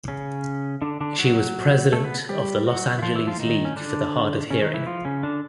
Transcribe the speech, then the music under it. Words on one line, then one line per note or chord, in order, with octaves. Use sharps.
She was President of the Los Angeles League for the Hard of Hearing.
C#3 C#4
D3 D4
D3 D4
F#3 F#4
A3 A4
B3 B4
G3 G4
F#3 F#4
E4
F3 F4
E3 E4
F3 F4
D#3 D#4
C#4
D3 D4
C#3 C#4
D#3 D#4
E3 E4
F3 F4
C#3 C#4
D3 D4